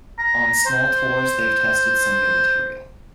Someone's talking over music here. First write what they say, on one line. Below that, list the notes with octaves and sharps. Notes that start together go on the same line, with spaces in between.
On small tours they've tested some new material.
A#5
C5